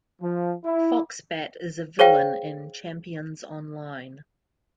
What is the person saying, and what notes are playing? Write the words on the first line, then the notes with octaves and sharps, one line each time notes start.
Foxbat is a villain in "Champions Online".
F3
E4
G#4 C5 C#5 F5 G5